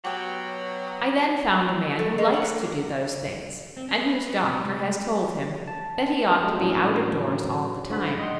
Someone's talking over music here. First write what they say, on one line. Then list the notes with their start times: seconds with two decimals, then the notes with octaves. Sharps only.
I then found a man who likes to do those things and whose doctor has told him that he ought to be out of doors all the time.
0.05 B2 F#3 G4 G5
0.88 D#6
1.99 A3
2.18 G#3
2.34 F#5
2.56 A#3
3.77 C4
3.89 C#4
4.07 B4
4.30 B3
4.43 C3
4.62 G#3
4.77 G#3
5.67 A5
6.41 F#3 G#3 A3 G4 A4
6.58 A2 E3 F#3 C#4 D4
7.90 G#2 D3 B5
8.19 D#5 F#5 G5 C6